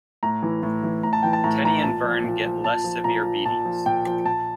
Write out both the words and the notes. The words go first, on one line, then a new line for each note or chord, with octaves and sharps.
Teddy and Vern get less severe beatings.
A2 A#5
E3
A2
E3
A2 A#5
A5
E3 G5
A5
A2 A#5
E3 A#5
A#2 A5
F3
A#2
F3
A#2 A5
F3
A#2 A#5
F3
A#2 A5
F3
A#2 G5
F3
A#2 A5